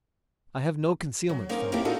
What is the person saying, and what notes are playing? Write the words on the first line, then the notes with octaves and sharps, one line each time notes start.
I have no concealments from you.
F#3
A#3 C4 C#4 D#4 A#4
A#3 C4 E4 G4 A4 A#4
B3 D4 D#4 F#4 A4 A#4